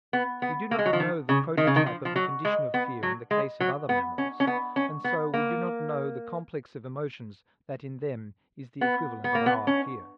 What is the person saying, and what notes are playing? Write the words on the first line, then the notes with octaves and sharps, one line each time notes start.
We do not know the prototype of the condition of fear in the case of other mammals, and so we do not know the complex of emotions that in them is the equivalent of our fear.
B3
B3
A#3
G#3
F#3
F3
D#3
C#3
D#3
C#3
D#3
F3
F3
F#3
G#3
B3
F#3
G#3
F#3
B3
C#4
C#4
B3
C#4
B3
A#3
B3
B3
A#3
B3
C#4